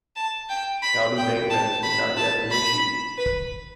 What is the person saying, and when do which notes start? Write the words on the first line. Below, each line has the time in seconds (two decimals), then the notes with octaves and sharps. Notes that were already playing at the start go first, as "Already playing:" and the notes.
Saudi bank notes had not yet been issued.
0.16 A5
0.49 G5
0.83 B5
1.17 G5
1.50 A5
1.83 B5
2.17 A5
2.51 B5
3.18 B4